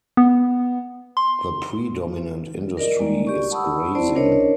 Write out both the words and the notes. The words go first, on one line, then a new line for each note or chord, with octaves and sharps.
The predominant industry is grazing.
B3
C6
A#4 D5 D#5
G3 G#3 A#3 D5
G4 D5 C#6
F#5 A5 B5 C#6 D#6 E6
C4 E4 C5 D5 A5
C#4 D4 A#4 C5 C#5 D#5